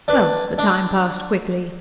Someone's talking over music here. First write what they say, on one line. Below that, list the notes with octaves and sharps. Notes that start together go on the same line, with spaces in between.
Well, the time passed quickly.
D4 B4
D4